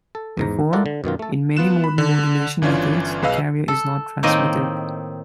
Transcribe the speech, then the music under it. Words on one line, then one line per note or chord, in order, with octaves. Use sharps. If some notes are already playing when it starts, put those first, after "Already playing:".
Therefore, in many modern modulation methods the carrier is not transmitted.
A4
E2 G#2 A#5
E4 F4 A4 A#4 D5 F#5
D3
F#2 B2 D#3 F4
A3 A4
B3 F4 F#6 E7
B5
D3
G1 E3 C#4 D4 F4 G#6
B1 G#4 B4 D#5 F5 E6
A4
A2 D#3 A#3 C4 D#4 D#5